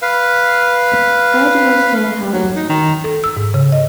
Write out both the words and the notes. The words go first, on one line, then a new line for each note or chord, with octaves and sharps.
I do not care how.
B4 F5
F#3
D#4
D#3
A4
E6
G#2
C#3
D#5